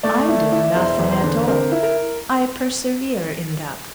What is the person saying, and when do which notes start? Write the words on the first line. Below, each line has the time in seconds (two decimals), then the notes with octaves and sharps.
I do nothing at all, I persevere in that.
0.03 A3 D5
0.28 E4
0.52 E4
0.75 E1 C5
0.99 E2
1.11 C5
1.24 D3
1.47 C4 A#4
1.72 E4
1.83 A#4